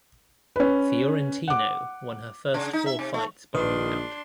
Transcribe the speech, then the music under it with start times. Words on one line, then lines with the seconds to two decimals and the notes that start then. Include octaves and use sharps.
Fiorentino won her first four fights by knockout.
0.56 C#4 B4
1.48 F#5 D6
2.54 C#3
2.73 D#4
2.86 E5
2.99 C3
3.14 A3
3.55 A#1 D#3 D4 B4 C6